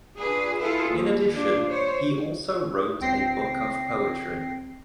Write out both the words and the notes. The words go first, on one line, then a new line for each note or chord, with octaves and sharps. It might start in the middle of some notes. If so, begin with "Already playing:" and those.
In addition, he also wrote a book of poetry.
D4 F4 G#4 B4
E4 F4 G#4 A4 B4
D#2
D4 F4
C5 C#5
C#2 C4 G5 A#6 C7